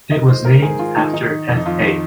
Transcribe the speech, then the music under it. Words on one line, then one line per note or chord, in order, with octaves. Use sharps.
It was named after F. A.
D#3 D#5
D#3 C5
G#2 A#4
G#2 G#4
D#3 F4
D#3 D#4
D#3 D#4
D#3
F2
D#4
F2 F4
D#3